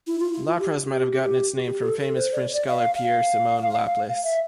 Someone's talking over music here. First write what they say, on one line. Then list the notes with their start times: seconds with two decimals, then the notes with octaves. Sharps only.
Lapras might have gotten its name from famous French scholar Pierre-Simon Laplace.
0.07 E4
0.20 F4
0.33 E4
0.46 F4
0.59 G4
1.12 G4
1.63 G4
1.80 A4
1.99 A4
2.15 C5
2.33 D5
2.51 D5
2.68 F5
2.94 F5
4.24 E5